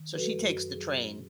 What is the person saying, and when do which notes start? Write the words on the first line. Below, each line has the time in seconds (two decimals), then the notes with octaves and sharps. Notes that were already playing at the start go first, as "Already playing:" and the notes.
so, she takes the train
Already playing: D#3
0.11 F#3 B4
0.18 F#4 A4
0.32 F#2
0.46 F#4
0.53 F#2
0.74 F#3 G#4
0.95 C#4